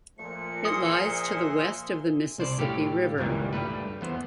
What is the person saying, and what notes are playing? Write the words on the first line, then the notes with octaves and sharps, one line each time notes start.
It lies to the west of the Mississippi River.
A#2 F3 A3 C#7
G#4 E5 C6 D#6
C2 C5 D5
A2 G4 A4 F5
G1 C#2 A#2 D#3 E3 G3
G2 G3 A3 B4
E2 B3 C5